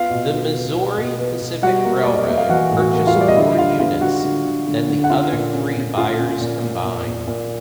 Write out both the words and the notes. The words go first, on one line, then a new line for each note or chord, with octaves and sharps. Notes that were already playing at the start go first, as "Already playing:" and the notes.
The Missouri Pacific Railroad purchased more units than the other three buyers combined.
Already playing: B3 F4 F5
B2
B2
B3
B2
B2
B3
B2
G3 F#4 F#5
A#3
A#3 D5
D#5
A#3 E5
F5
E3 F#4 F#5
A2
F#4 F#5
A#3
F4 F5
G3
D5
D#5
D3 E4 E5
D3 F4 F5
B3 F4 F5
D3 F#4 F#5
D3
D3
D3
D3
F#5
C#4 F4 F5
A#2
C#4
A#2
C#4 F4 F5
C#4
A#2
A#3
A#2
A#2
A#2